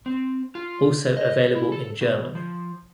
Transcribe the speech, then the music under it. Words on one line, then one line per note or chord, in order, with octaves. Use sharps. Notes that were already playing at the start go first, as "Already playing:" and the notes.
Also available in German.
C4
F4
D#5
E4
A4
B2
F3